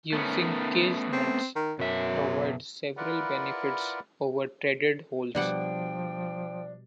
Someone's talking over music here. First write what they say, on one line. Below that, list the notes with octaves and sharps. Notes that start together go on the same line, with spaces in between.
Using cage nuts provides several benefits over threaded holes.
D#3 A3 B3 C#4
C4
D#3
F#2 B2 E5
E4 F4 A#4 B4 D5 F#5
B2 F3 G3 D4 F#5 G5